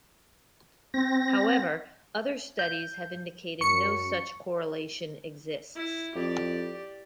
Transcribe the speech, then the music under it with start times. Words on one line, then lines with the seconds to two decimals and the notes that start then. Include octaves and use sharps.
However, other studies have indicated no such correlation exists.
0.94 C4 A#6
2.59 G6
3.61 F#2 C#6 C#7
5.75 E4
6.15 F2 G4 D5